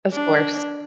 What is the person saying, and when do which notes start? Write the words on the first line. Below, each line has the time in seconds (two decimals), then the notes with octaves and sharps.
Of course.
0.13 D4